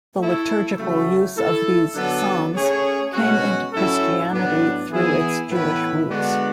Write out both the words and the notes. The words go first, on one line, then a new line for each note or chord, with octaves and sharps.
The liturgical use of these psalms came into Christianity through its Jewish roots.
A3 E4 A4
C#3 F#3 A3
A3 E4 A4
D3 F#3 B3 D4 A4
A3 C#4 G#4 C#5
B2 G#3 C#4 F#4
A2 F#3 C#4 E4 A4
A2 F#3 B3 D4
E3 B3 E4 G#4
A2 E3 B3 E4 B4
D3 G#3 B3 D4 F#4